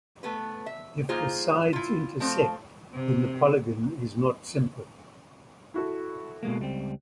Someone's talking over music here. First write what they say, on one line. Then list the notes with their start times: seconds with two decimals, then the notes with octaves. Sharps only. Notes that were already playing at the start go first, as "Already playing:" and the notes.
If the sides intersect then the polygon is not simple.
0.23 A3 B3 B4
0.66 E5
1.09 A#3 D#4 F4 G#4 C5
1.73 E4 F4
2.20 F3 A3 C4
2.93 C3
5.74 E4 F#4 A4
6.43 B2 G#3 A#3
6.59 C#2 G3 C4